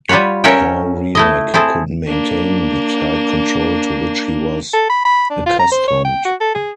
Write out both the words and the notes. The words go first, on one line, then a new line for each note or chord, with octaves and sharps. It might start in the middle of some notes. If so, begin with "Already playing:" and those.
Hawrelak couldn't maintain the tight control to which he was accustomed.
G3 F4 F#4 B4 C#5
C#4 F#4 A#4 C#5 E5 G5
A3 E4 D#5
C4 E4 G#4 A4
A#3 D4
A4
B5
B5
D4
F4
A#5
C5
C#5
G5
F#4
A4
G#4